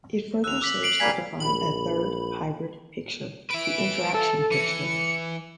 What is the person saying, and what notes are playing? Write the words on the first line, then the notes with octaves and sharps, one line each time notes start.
It further serves to define a third, hybrid, picture, the Interaction picture.
D#2 E6 F#6 F7
D6 E6 B6 F#7
C7 D7 F#7
G3 A#3 G#5 B6
A#1 B5
B4 E5 D7
A4
E3 C#7